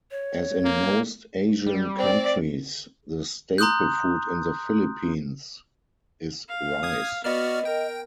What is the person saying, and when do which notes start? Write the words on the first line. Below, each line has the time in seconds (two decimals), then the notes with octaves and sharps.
As in most Asian countries, the staple food in the Philippines is rice.
0.11 C#5
0.65 A#3
1.67 G3
1.99 C4 D5
3.58 A#5 C6 D#6 F#6 G6
6.49 F5
6.83 D#6 G#6
7.24 B3 F#4 D5 D#5 F6
7.65 A#4 G5